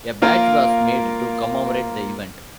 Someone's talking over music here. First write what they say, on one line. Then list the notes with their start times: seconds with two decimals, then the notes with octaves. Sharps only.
A badge was made to commemorate the event.
0.22 A#3 F4 A#4